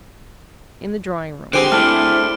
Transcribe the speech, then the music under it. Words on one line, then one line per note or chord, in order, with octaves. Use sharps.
In the drawing-room.
D3 C4 G4 G#4 C5 D7
A3 D4 E4 F6